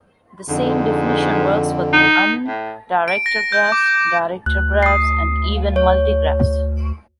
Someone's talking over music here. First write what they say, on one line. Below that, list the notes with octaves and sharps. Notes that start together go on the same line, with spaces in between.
The same definition works for undirected graphs, directed graphs, and even multigraphs.
F2 G#2 D3
D#4
A2
D7
A#6
G6
D6
D2 F#6
D#6 C7
C#5